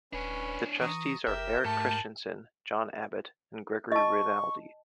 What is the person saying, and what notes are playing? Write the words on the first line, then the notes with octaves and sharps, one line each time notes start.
The Trustees are Eric Christensen, John Abbott and Gregory Rinaldi.
D#1 C#4 D4 B4 C#5
E3 A#5 C#6 D#6
F#1 G4 A#4 E5 G6
G#2 A3 A5
D#5 A5 C#6